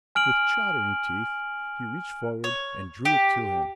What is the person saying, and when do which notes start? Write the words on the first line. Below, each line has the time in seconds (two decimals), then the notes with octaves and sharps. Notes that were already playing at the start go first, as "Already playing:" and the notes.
With chattering teeth, he reached forward and drew it to him.
0.15 G#5 F6 D7 F#7
2.44 C#5
3.05 G4